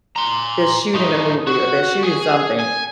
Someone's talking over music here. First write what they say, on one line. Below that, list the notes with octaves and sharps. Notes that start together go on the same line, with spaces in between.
they're shooting a movie or they're shooting something.
A#5 C6
A2 D#4
F#4
G#4
G#5